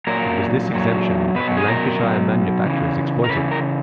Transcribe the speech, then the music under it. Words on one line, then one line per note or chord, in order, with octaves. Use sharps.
It was this exemption that the Lancashire manufacturers exploited.
A#2 F#3 A#4
A#2 F#3
B2 F#3 B4
G#4
A#4
B2 F#3
C#3 E3
A#4
C#3 E3 B4
A#4